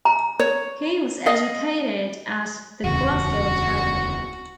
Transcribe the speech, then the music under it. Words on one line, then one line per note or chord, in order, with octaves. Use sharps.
He was educated at The Glasgow Academy.
A#5
C#5
D#5 F5
D1 E2 C#3 F#4